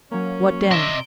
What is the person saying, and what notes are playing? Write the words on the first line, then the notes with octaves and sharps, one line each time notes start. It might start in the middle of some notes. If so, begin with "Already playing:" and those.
What then?
F#3 A#3 C#4
C3 D#5 E5 D7